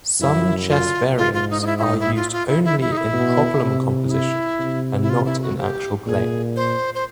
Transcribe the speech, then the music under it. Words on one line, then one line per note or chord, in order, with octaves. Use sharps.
Some chess variants are used only in problem composition and not in actual play.
F#2 E4
F4
G#2 F4
F4
D#4
D#4
E4
E4
D#4
E4
F4
F4
E4
E4
E4
D#4
E4
B2
C3
D#4
E4
C3
E4
F4
E4
F#4
G4
A#2 G#4
C5
C5